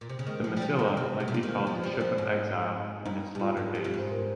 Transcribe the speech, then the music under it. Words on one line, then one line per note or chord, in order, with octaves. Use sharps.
The "Massilia" might be called "the ship of exile" in its latter days.
A#2
C3
C#3
D#3 G#3
F3
G3
F3
D#3
C3 G3
G#3
C3
A#2
C3 A#3
D#3
C4
F3
G3
F3
G#2
G2 D#4
G2
G#2 F4
G#2
G#2 G4
G2
G#2
C5
A#4